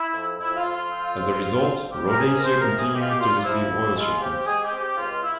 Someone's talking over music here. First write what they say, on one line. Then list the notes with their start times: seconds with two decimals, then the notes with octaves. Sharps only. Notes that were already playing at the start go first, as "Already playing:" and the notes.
As a result, Rhodesia continued to receive oil shipments.
Already playing: E4
0.13 F2
0.38 F2 E4
0.56 F4
0.64 F2
0.72 F4
0.90 C4
1.15 F2
1.40 C4
1.66 F2
1.91 F2 G4
2.07 A#4
2.17 C3 G#4
2.36 A#4
2.42 F3 C5
2.60 A#4
2.67 C3
2.76 G#4
2.93 G#3 G4
3.00 F4
3.08 G4
3.18 A#2 F4
3.44 F3 E4
3.70 F3
3.95 G#3 F4
4.21 C4 G4
4.46 G#3 G#4
4.63 G4
4.71 C4
4.80 G4
4.97 C#2 F4
5.23 E4